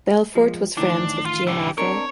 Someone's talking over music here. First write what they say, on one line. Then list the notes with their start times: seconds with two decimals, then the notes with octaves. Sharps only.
Belfort was friends with Jane Avril.
0.35 F3 G#3
0.77 A2 D#3 E3 D4
1.26 F4
1.47 C2 G#2 D3 E4 G4
1.78 C4 D4 A#4 C#5